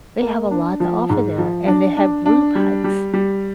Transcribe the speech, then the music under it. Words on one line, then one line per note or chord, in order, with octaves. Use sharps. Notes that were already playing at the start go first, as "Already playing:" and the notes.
They have a lot to offer there, and they have group hikes.
A#3
D4
F3
G#2
F3
D4
D4
D4
G3
G3
G3